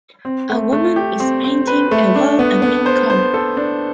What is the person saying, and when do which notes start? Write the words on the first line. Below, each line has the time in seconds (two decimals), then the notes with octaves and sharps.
A woman is painting a wall a green color.
0.25 C4
0.49 A3
0.73 A3
0.96 G4
1.20 C4
1.44 C4
1.67 B4
1.91 A3
2.15 D4
2.39 B3
2.62 B3
2.86 C5
3.10 C5
3.34 A4
3.57 D4